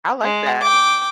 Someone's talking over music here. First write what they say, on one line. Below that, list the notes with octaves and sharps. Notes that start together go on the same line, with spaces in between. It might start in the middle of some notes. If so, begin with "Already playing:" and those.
I like that.
G#3
G5 D6